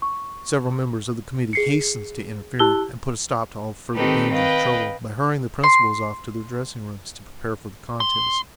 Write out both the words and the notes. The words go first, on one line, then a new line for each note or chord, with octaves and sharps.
Several members of the committee hastened to interfere, and put a stop to all further danger of trouble by hurrying the principals off to their dressing-rooms to prepare for the contest.
C#6
G#4 C7 C#7
E4 G4 A5 E6 F#6 G7
D#3 C4 D#4 G4 A4 B4
B4 D#5 F5 G5
C6
C6